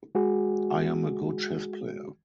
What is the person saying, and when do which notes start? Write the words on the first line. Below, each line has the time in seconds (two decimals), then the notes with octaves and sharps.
I am a good chess player.
0.15 G#3 F#4 G#4